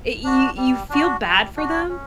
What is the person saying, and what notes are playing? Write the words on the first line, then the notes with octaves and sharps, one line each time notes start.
y y you feel bad for them,
D4 F#4
G3
D4 F#4
G3
D4 F#4
C#4